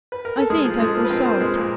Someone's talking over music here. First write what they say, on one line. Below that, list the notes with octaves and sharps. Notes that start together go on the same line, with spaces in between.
I think I foresaw it.
B4
A#4
A4
G#3 G#4
F3
G#3 A4
F3
B4
C4 A#4
C4
G#3
A#2
A#4